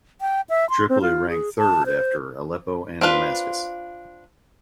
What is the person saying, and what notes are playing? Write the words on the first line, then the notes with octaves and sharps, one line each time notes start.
Tripoli ranked third after Aleppo and Damascus.
G5
E5
C6
C4
F4
G#4
A5
C5
C4 D4 F4 B4